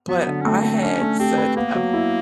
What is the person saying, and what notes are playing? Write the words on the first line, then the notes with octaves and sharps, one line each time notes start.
but I had such am
F#3 B3
D3
C#4
A3 C4
D3
C#4 D4
A3
C4 G4
B4
A#3 B3
F#3
E4